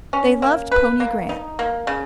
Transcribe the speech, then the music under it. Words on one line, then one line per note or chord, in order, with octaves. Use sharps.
They loved pony Grant.
C#4
A#3
B4
A#3
D#4
A#3
C#3